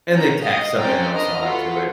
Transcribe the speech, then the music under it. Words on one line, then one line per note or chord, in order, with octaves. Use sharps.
and they tack something else onto it.
C#4 A#5
D#5 F5
C4 C#4 D5 F5 G5 A#5
D4 A#4 B4 D#5 A#5 F6
F4 F#4 A4 B4